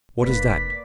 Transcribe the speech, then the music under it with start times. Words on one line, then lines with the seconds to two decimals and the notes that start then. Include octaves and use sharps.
"What is that?"
0.22 F1 A#3 B4 D5 B6